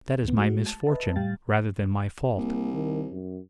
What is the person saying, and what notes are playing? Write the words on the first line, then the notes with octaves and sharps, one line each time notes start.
"That is my misfortune, rather than my fault."
D2 B3
G#3 A3 F#4
A5
B4 D#5 E5 A5
A2 G3 F5 G5 A6
C2 A#3
D#3
F#2